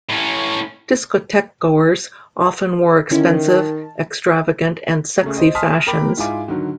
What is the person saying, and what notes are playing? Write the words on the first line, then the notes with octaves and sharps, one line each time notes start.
Discotheque-goers often wore expensive, extravagant and sexy fashions.
A2 C#4
D3 D#3 C#4 E4
A5
C#3 A3 G#4
C5 D#5
G#5 A5 C6 D#6 F6 B6
A#4 G5 A#5 B5 D6
G#2 G#3 E4 F4 G#5 D6
D3 D#3 F#3